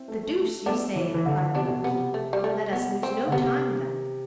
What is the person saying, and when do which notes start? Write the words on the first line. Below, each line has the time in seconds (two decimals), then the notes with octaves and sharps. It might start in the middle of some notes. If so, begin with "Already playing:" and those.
"The deuce you say!" replied the marquis, "let us lose no time, then!"
Already playing: C4 E4
0.08 A3
0.23 A3
0.39 A3
0.66 A3 B3 D4
0.95 E3
1.14 E3
1.26 D3
1.55 C3 B3 D4
1.68 B2
1.81 C3 B3
2.14 A3
2.33 G3
2.44 A3
2.73 B3
3.03 C4
3.28 D3
3.32 C3 B3